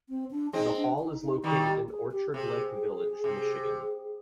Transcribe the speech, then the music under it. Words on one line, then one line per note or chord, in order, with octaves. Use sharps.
The hall is located in Orchard Lake Village, Michigan.
C4
D4
G#3 C4 D#4
D4
D#4
D#4
D#3 G3 D#4
G4
G#4
G4
C3 G#4
C3